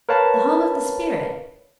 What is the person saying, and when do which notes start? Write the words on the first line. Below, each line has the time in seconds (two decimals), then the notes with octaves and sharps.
The Home of the Spirit!
0.09 A#4 B4 C#5 F5 A5 B5